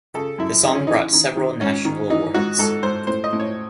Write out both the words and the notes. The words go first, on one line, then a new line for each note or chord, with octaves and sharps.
The song brought several national awards.
C#3 A4
F#2 E4
C#3 D#4
C#4
E3 D#4
D#3
D#3
G#2 C#4
D#3
E3 D#4
G#2 F#4
G#2 A4
G#2 C5
A2 C5
D#5
A2
C#5